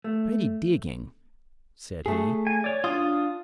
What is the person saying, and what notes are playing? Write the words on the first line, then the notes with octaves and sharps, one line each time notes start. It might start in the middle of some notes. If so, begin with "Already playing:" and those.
"Pretty digging!" said he.
A3
A3 G#4
G#5
C#5 D5
D4 F4 D#6